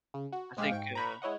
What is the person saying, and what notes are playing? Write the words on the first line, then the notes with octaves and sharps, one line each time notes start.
I think, uh
C#3
F#4
A#1 G#3 G4 G#4 F5
G#2 G5 C#6 D7
A#5 B5 C#6
G#3 E4 C#5 D#5 F#5